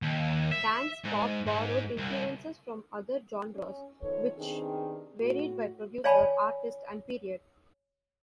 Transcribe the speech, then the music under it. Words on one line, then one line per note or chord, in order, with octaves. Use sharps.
Dance-pop borrowed influences from other genres, which varied by producer, artist and period.
D#2
E5
G#2
G#2
C2
C#4
D#3 F3 B3 A4 C#5
C3 D#3 B3 C4 D4 G#4
A2 F#4
C#5 D5 F5 G#5 A5 B5